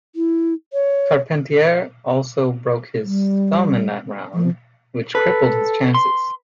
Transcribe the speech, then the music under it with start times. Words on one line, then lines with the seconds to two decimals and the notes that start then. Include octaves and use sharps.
Carpentier also broke his thumb in that round, which crippled his chances.
0.16 E4
0.73 C#5
3.03 G3
4.34 F3
5.15 A4 B4
5.94 C6